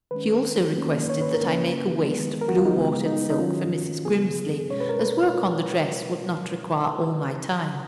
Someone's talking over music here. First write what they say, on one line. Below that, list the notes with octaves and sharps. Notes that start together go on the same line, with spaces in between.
She also requested that I make a waist of blue watered silk for Mrs. Grimsly, as work on the dress would not require all my time.
D#3 G#3 C#4 B4
D#3 A#3 C#4
C#5
B4
A#4
C#3 F#3 A#3 C#4 B4
D#3 G#3 B3
A#4
F#4
F4
D#4
C#3 G#3 B3
D#4
D#4
D#3 F#3 C#4 F4
C#3 F3 B3 G#4
B2 G#3 C#4 C#5
B4
A#4
B4